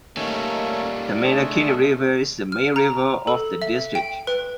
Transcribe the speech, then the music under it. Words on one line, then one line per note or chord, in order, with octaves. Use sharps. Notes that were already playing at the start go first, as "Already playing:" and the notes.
The Mandakini River is the main river of the district.
D#3 G3 A3 A#3 C#4 D#5
D5
G#3 A3 D4
F6
A#5
A4
E5
G5
B4